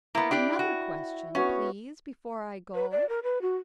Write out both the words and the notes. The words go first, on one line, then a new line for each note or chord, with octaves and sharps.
'Another question, please, before I go.
A#3 B3 E4
D4 G4 D5 G5
F#4
B3 C#4 F#4 C#5
B4
D5
A#4
B4
F#4